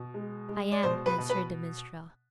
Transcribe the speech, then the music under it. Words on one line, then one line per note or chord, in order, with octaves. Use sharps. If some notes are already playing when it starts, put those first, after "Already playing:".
"I am," answered the minstrel.
Already playing: B2
G#3
G#3
D5
B2 C5
B4
B2
B4